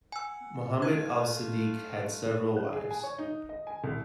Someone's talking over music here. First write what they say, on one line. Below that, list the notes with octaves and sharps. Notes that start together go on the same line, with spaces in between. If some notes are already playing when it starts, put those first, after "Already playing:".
Muhammad as-Sadiq had several wives.
F#5 G#5 E6
A3 F4 F#6 G#6 D#7
F#6
G#4
G#5
C#5
D#4
D#5
G#5
C2